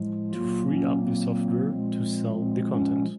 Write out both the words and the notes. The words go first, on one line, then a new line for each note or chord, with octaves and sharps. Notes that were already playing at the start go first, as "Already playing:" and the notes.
To free up the software, to sell the content.
Already playing: A2 F3 G#3
A#2 F#3 A#3 F4
C#4
C4
A#2 F3 G#3
C4
C#4